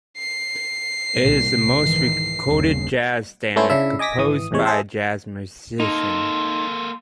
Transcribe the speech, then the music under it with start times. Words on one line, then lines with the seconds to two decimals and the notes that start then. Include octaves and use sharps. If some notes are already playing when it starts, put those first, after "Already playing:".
It is the most recorded jazz standard composed by a jazz musician.
0.18 C7
1.20 C2 A#2
1.76 G#2 D#3 E3
2.44 G1 D#2 C#3
3.56 A3 B3 C#4 E4 C5
3.70 C#3 D4 E4 E5
3.99 D#5 G#5 D6 A#6 B6
4.17 G#1 E3 D#6
4.51 E2 A2 C3 G#3 C#5
4.65 G#4 A4 C5 E5
5.80 A#3 D#4 A4 C6